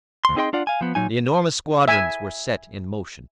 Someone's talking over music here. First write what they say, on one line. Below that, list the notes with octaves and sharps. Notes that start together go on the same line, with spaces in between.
The enormous squadrons were set in motion.
D2 C6
C4 D#4 G#4 D#5 G5 C6
D4 F4 D5 F#5
F5 G#5
F3 B3
A#2 F#3 D#4 G#5
E5 G#5